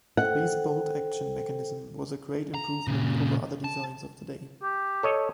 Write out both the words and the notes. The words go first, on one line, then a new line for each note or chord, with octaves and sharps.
Lee's bolt action mechanism was a great improvement over other designs of the day.
A4 C5 F#5 G5
A#5
A#2 C#3
A5
G4
A4 C#5 D#5